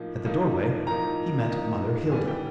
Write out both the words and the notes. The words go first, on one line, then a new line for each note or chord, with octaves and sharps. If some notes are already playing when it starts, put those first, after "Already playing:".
At the doorway he met Mother Hilda.
Already playing: A2 F3 A#3 D#4
A2 F3 A#3 D#4
A2 F3 A#3 D#4 A#5
A2 F3 A#3 D#4
E3 G3 B3 G#5
G5